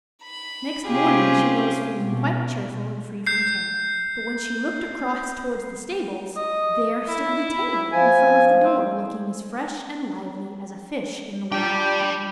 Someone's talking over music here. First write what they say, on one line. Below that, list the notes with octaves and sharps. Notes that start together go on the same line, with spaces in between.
Next morning she rose feeling quite cheerful and free from care, but when she looked across towards the stables, there stood the tailor in front of the door looking as fresh and lively as a fish in the water.
B5
C3 C#4 F4 G4 G#4
B2
G6 C7
D#5
E4
F3 G#5
C4
G3 D4 F4 G4 G5